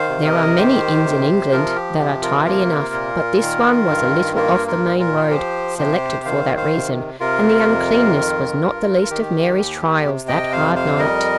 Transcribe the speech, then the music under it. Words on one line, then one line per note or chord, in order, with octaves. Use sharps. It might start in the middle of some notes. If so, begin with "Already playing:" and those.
There are many inns in England that are tidy enough, but this one was a little off the main road--selected for that reason--and the uncleanness was not the least of Mary's trials that hard night.
Already playing: D#3 C5 F5
C3
A#4 D#5
D#3 G4 C5
C3
F3 F4 A#4
G4
C3 G4
F4 A#4
A#3 F4 A#4
A#2
D#3
G2
A#3 F4 A#4
F4 A#4
A#2
F4 A#4
F3 G4 C5
C3 G4 C5
D#3 C5 F5
C5 F5
C3
C3 F4 A#4
F2
D#3
G2
F4
D#3 G4
D#2
C3
D#5 G5
F2 C5 F5
C5 F5
G3 A#4 D#5